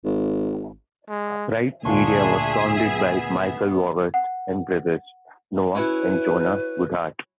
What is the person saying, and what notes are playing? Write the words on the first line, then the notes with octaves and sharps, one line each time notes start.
Right Media was founded by Michael Walrath and brothers, Noah and Jonah Goodhart.
G#1
G#3
D2 A#2 D4 F4 G#4 E5 C6 C#6
B3
F#5
C#4 E4 F#4 B4